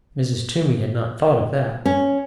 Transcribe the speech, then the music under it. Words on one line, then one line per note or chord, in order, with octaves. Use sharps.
Mrs. Toomey had not thought of that.
C#4